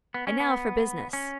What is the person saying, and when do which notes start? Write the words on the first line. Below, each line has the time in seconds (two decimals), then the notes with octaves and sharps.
And now for business.
0.14 B3
0.27 C#4
0.40 B3
1.13 C#4